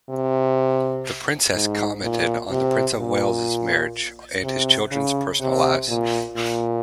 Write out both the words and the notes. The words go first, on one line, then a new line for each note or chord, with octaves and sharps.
The Princess commented on the Prince of Wales' marriages and his children's personal lives.
C3
G#2
A#2
C3
A#2
C3
C#3
C3
A#2
A#2